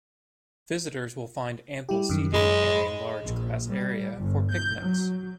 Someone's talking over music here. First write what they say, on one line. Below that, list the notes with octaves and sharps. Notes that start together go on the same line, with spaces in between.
Visitors will find ample seating and a large grass area for picnics.
G3 E4 G4
F#2 D#3
F#2 G#3 B5
A#1
G3
G1
G6
F#3